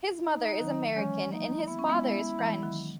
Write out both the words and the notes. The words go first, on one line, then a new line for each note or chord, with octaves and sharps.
His mother is American and his father French.
D#4
D#3 F#3
F#3
E3 G#3 C#4
F#3 A#3 D#4
B3 E4
C#4
G#3 B3
G#3 B3
E3 G#3
D#3 F#3